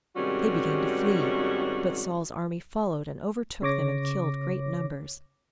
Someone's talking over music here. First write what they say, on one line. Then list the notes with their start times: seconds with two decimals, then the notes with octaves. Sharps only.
They began to flee. But Saul's army followed and overtook them and killed great numbers.
0.16 G#2 C3 D#3 G3 C#4 F#4
3.62 C#3 C#5 D6 A#6